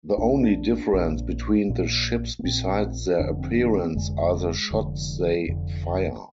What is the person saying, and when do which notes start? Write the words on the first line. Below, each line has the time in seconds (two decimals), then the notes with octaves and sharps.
The only difference between the ships besides their appearance are the shots they fire.
0.18 A#1 A#2 D4
0.43 D4
0.93 A#1 A#2
1.69 A#1 A#2
2.39 A#3
2.44 A#1 A#2 C4
3.19 F1 F2 D3 D4
3.29 D4
3.39 C4
3.57 D4
3.77 C4
3.95 F1 F2 D3 G#3
4.71 F1 F2 D3
5.47 F1 F2 D3